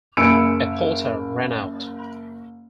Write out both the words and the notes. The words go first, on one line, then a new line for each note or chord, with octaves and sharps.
A porter ran out.
F#1 G#5 B5 E6 C#7 D7